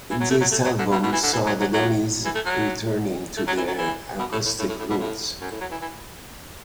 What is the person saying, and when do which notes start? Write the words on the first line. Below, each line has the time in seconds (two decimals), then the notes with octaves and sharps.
This album saw the Dummies returning to their acoustic roots.
0.10 E3
0.21 F#3
0.31 A3
0.41 F#3
0.52 A3
0.65 F#3
0.79 D3
0.92 B2
1.03 B2
1.12 E3
1.23 D3
1.33 E3
1.46 F#3
1.60 F#3
1.73 F#3
2.25 E3
2.35 A3
2.46 F#3
3.37 A3
3.47 F#3
3.57 E3
3.67 F#3
3.78 E3
4.19 B2
4.32 A2
4.45 A2
4.59 A2
4.69 A2
4.79 A2
4.90 B2
5.00 A2
5.41 F#2
5.51 A2
5.61 F#3
5.71 E3
5.81 E3